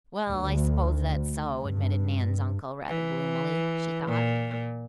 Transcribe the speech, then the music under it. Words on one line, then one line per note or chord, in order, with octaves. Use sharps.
"Well, I s'pose that's so," admitted Nan's uncle, rather gloomily, she thought.
D2
G2
E3
A#2